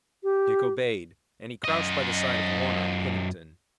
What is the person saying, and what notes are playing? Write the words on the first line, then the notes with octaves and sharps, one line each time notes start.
Dick obeyed, and he crouched by the side of Warner and Pennington.
G4
F#2 D#5